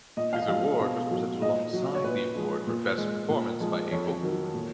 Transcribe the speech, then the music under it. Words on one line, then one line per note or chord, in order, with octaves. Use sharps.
This award was presented alongside the award for Best Performance by a Vocal Group.
A#2 D#5
F5
D#5
F3 G#3 F5
B2 F5
F#3
A#2 D#5
F#3
C#5
A#2 B4
F3 G#3
A#2
G#3
A#2
F3 G#3
F2 C#5
D#3 F#3
A#2